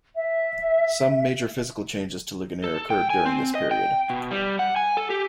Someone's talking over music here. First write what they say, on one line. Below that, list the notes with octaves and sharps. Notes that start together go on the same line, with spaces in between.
Some major physical changes to Ligonier occurred during this period.
E5
A4
G5
G#5
C4
D#5
G5
B2
G3
F#5
G#5
A4
G4